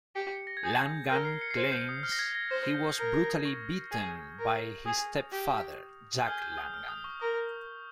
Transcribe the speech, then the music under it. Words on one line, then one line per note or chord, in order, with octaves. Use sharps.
Langan claims he was brutally beaten by his stepfather, Jack Langan.
G4 C#7
C#7
A#6
G#6
G#4 G6
A#4 F6
C7
C#7
C7
C5 C#7
G6
D#6
F6
A#6
G#6
A#6
C5 G6
F6
G6
A#4 G6
F6
D#6
C#6
G#4
A#4
G#4 D#6
G4
G6
G#4 F6
G6
D#6
F6
D#6
C#6
A#4 D#6